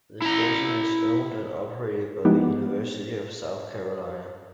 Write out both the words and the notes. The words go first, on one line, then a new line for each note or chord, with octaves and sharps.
The station is owned and operated by the University of South Carolina.
E4 A#5
F3 G#3 B3 D#4 E4 G4